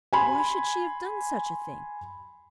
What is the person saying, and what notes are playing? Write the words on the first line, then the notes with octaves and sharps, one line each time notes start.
Why should she have done such a thing?
G#5 B5 C6